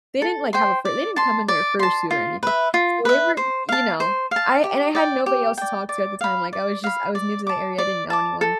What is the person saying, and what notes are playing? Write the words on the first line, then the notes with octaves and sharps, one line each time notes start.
they didn't, like, have a fur they didn't come in their fursuit or anything, so, they were you know? I and I had nobody else to talk to at the time, like, I was just I was new to the area, I didn't know anyone,
A4
C5 G5 C6
D5
A5 C6
D5
A5 C6
F4
B4 E5
F4
B4 E5
C5
F5 A5
C5
F5 A5
G4
D5 G5
G4
D5 G5
D5
F5 B5
D5
F5 B5
D5
A5 D6
D5
A5 D6
A4